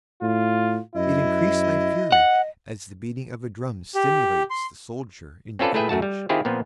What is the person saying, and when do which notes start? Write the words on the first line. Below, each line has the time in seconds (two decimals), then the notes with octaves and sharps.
It increased my fury, as the beating of a drum stimulates the soldier into courage.
0.22 A2 F4
0.95 F#2 E4 D#5
2.12 F#5
3.95 G4
4.50 C6
5.59 C4 C#4 F4 A4 B4 D5
5.74 A3 E4 G#4 B4 E5 G5
5.89 F#2 A3 F#4 A5
6.02 G3
6.29 D#3 C4 E4 F4 G4 G#4
6.45 A#2 F3 B3 C4